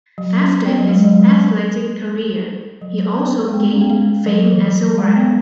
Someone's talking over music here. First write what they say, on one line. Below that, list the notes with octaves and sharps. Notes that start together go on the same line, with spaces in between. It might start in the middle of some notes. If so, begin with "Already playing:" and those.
After his athletic career, he also gained fame as a writer.
F#3
C#4
B3
F#3
G#3
F#3
G#3
F#3
B3
G#3
B3
C#4
B3
G#3
F#3
E3
F#3
G#3
B3